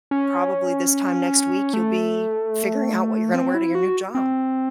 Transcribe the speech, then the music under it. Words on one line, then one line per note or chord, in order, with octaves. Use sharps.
probably this time next week, you'll be figuring out what you gonna wear to your new job.
C#4
A3
C4
E4
F#4
C4